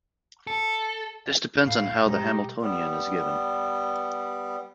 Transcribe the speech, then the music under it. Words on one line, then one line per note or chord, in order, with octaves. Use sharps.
This depends on how the Hamiltonian is given.
A4
A2 F5
G#2 B2 G3 G#3 D#4 G4
G3 B3